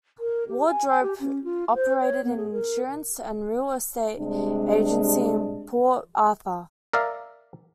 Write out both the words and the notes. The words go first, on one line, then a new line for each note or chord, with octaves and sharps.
Wardrope operated an insurance and real estate agency in Port Arthur.
A#4
G4
G#5
G#5
G4
C#4
F4
C5
C#5
B3
G#4
A#4
C3 G3 G#3 D4
A#4 D5 E5 F5